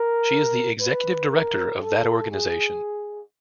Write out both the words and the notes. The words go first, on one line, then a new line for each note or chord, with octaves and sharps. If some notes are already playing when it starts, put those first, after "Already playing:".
She is the executive director of that organization.
Already playing: A#4
B4
A#4
A4
G#4